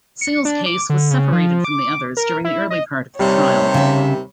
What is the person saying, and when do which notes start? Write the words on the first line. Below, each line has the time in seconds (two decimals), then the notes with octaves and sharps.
Seale's case was separated from the others during the early part of the trial.
0.21 C#7
0.45 D4
0.66 D6
0.90 D3
1.11 C#3
1.33 F3
1.64 D6
2.17 A#4
2.44 E4
2.70 D#5
3.19 D#2 C3 G3 C#5
3.74 C#3 E5